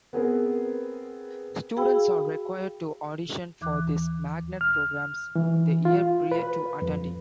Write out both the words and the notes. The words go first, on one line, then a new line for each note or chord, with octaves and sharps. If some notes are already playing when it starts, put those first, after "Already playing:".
Students are required to audition for these magnet programs the year prior to attending.
B3 C4 G#4 A#4 B4
F#4 G#4 F5 G5 B5 E6
D#2 E3 D6 F#6
F6
E3
F4
B4
F2